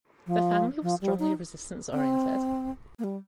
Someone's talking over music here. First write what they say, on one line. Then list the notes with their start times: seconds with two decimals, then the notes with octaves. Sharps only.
The family was strongly resistance oriented.
0.27 F3
0.82 F3
1.01 G3
1.19 D#4
1.93 C4
2.99 A#3
3.04 G3